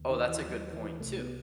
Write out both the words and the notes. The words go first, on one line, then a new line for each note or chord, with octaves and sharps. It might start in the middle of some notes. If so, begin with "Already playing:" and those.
Oh, that's a good point, too.
Already playing: D#2
D#3
E3
F#3
E3
C2 C3 A3
B3